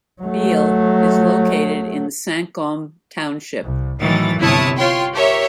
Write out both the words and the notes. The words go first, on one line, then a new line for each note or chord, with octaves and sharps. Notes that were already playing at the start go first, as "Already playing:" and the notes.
Biehle is located in Cinque Hommes township.
F#3 A3
C2
A2 D#3 E3 F#3 A6
G1 C3 E4 C#5 A5 D#6
F4 C#5 G5 C6
G4 A#4 C#5 E5